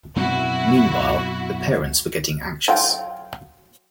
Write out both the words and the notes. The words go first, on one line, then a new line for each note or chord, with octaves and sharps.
Meanwhile the parents were getting anxious.
F#2 B2 C4 E4 F#4
F#3 F4 G5